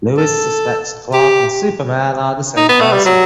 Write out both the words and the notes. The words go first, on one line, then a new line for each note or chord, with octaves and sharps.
Lois suspects Clark and Superman are the same person.
A4
G4
D#4
B3
A3
G3
F#3